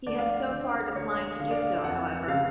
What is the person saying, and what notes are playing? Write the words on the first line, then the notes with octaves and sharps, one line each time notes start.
He has so far declined to do so, however.
D2 D5
F5
D5
D3
D2 C#5
D3 F5
D5
F5
F2 F#5
C#3 F5